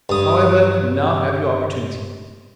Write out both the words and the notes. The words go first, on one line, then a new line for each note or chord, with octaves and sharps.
However, you now have your opportunity.'
G2 D#6